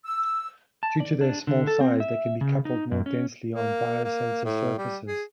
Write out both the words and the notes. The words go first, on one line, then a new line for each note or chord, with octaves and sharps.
Due to their small size, they can be coupled more densely on biosensor surfaces.
E6
A5
D5
D4
D3
A4
C4
E5
C#3
D#4
F#2
C#4
A#3
A#3
A2
G3
G#4